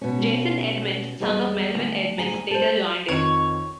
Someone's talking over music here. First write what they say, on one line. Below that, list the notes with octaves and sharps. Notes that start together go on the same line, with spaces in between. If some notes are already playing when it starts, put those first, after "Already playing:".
Jason Edmonds, son of Melvin Edmonds, later joined in.
B2 C#4
E2 G3 G#4 D#5
D2
D2 G#4 G#5 A#5
A4 C5
F2 D#3 C#5